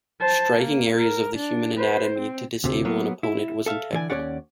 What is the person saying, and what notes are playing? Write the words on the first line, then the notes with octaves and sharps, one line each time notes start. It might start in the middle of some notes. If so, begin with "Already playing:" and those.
Striking areas of the human anatomy to disable an opponent was integral.
C5 A5
A#3
A#4
D4
B4 C5
C4
D2 C3
F#3 A#3 B3
E4
A4 E5 F5
D3 E3 D5 G#5
D#2 C#4 C#5 D5 F#5